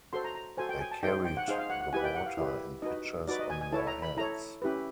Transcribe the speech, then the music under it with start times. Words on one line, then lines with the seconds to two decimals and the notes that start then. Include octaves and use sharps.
They carried the water in pitchers on their heads.
0.13 F#4 A4 C5 C6
0.24 A#5
0.35 A#5
0.57 F#4 A4 C5 G#5
0.69 G5
0.80 G#5
0.91 A5
1.03 D#4 G#4 C5 G5
1.25 G5
1.37 F#5
1.48 D#4 G#4 C5 F5
1.58 F5
1.70 F#5
1.81 F#5
1.93 E4 G4 B4 G#5
2.04 G5
2.15 F#5
2.26 F5
2.37 E4 G4 B4
2.82 D#4 F#4 B4 D#5
3.28 D#4 F#4 B4 D5
3.39 D#5
3.50 G#5
3.61 G#5
3.72 E4 A4 C#5 A5
3.87 A#5
4.02 B5
4.17 E4 A4 C#5 A#5
4.62 C#4 E4 G4 B4